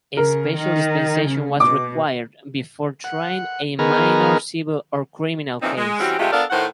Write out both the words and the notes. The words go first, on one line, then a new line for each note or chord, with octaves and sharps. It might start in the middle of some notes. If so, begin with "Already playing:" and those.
A special dispensation was required before trying a minor civil or criminal case.
C#3 A#4
D#3
C#3
B2 D6
F#5
D#3 B3 G#4 A#4 F6
A#2 C#3 E3 F3 C4 D#4
G#3
E3 G3 C4 C#4 F#4 G4
C3 F3 G#3 A3 F4 G4
B3 D4 A4 A#4 D5 F5
A2 D#3 A3 C5 F#5